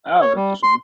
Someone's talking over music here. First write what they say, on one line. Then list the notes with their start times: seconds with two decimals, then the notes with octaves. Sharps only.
Oh, that's a shame.
0.21 C#5
0.36 G3
0.63 C6